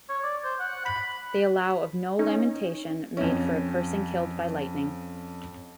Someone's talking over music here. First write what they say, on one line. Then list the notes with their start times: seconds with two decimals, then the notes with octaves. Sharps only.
They allow of no lamentation made for a person killed by lightning.
0.09 C#5
0.23 D5
0.44 C5
0.59 F#5
0.85 B5
2.19 C#4 D#4
3.17 F2 C#4